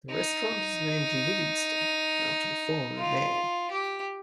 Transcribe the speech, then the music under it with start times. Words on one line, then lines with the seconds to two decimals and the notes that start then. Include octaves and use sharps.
The restaurant is named "Livingston" after the former mayor.
0.11 D#4
2.99 F4
3.71 G4